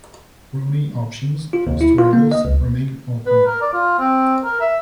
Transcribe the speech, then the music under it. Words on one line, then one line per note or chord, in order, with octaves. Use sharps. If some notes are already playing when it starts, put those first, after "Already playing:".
Rooney options, post-Rebels, remain open.
F4
D#2
E4
F4
A#3
D#5
C#2
B4
A#4
D5
F4
C4
A#4
E5